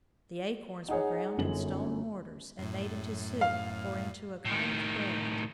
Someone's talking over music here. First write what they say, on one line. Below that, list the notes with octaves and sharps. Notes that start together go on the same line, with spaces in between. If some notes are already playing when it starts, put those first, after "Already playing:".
The acorns were ground in stone mortars and made into soup or into a kind of bread.
D#4 G#4 C#5 D#5 F#5 G#5
G1 F#2 F#7
F#2 A2
F5
A2 D#3